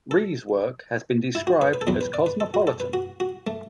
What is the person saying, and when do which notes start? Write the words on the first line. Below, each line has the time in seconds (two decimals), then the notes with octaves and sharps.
Rie's work has been described as cosmopolitan.
0.11 A4
1.35 E4
1.47 F#4
1.62 B4
1.74 B4
1.81 A4
1.87 E2 B2 F#3 B4
2.01 B4
2.14 D5
2.26 B4
2.40 A4
2.54 F#4
2.67 A4
2.80 B4
2.93 F#4
3.20 F#4
3.47 A3